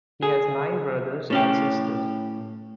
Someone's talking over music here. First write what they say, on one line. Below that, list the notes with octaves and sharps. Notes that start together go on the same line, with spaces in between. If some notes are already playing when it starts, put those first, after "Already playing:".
He has nine brothers and sisters.
G#4
A2 C#4 G4